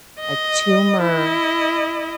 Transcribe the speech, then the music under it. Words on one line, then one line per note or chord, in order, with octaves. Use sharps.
a tumor
D#5
E4 D#5